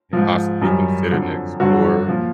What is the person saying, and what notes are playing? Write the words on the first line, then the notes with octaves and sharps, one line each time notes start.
can possibly considered an explorer,
G#2 F3
F#2 D#3 G3
F2 D3 F#3
G2 D3 F#3 F#4
A#2 F3